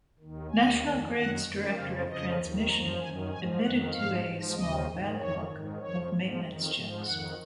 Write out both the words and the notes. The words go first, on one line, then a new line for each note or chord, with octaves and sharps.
National Grid's Director Of Transmission admitted to a "small backlog" of maintenance checks.
D#2 D#3
D#2 D#3 G#5
F2 D#3
F#2 D#3 F#5
F#2 D#3
F2 C#3 F3 F5
F2 C#3 F3 D#5
D#2 D#3
F#2 F3 A#5
F#2 D#3 G#5
G#2 F3 G#5
F2 D#3 F#5
G#2 F3 F5
G#2 F3
D#2 C#3 F3 D#5
G#2 D#3
F2 D#3 C#5
G#2 D#3
F2 F3 C#5
G#2 F3
F2 D#3
G#2 F3
F2 D#3 F#5